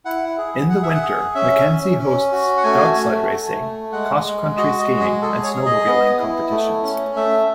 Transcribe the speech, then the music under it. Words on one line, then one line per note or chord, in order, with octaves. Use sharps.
In the winter, Mackenzie hosts dog sled racing, cross-country skiing, and snowmobiling competitions.
E4 F#5
G#4
G#4 F#5
E5
F#5
G#4
C#4 E5
C#4
C#4
F#4
F#5
A3 G#5
A3
A3
A3
G#3 F#5
G#3
F#4 D#5
D#5
G#3
G#4
G#4 A4
C#5
G#4
D#5
B3
E4
A3
C#4
A3 E5